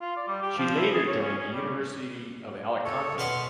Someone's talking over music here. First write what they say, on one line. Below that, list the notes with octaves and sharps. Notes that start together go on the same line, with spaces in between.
She later joined the University of Alicante.
F4
D5
G3
G4
F3
E4
G#4
C#5
C#4
C#4
G3
A4 C#5
B2 B4 F#5 C6 F6